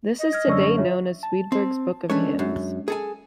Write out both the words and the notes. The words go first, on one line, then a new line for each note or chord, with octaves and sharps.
This is today known as Swedberg's Book of Hymns.
D#5
F6 G#6
F#2 D3 C#4 D5 C#6 E6
C#6
F4 C#5 E5
A5
C4
G#3 A3 C#4 D4 B4 C#5
F#2
G#4 A4 G#5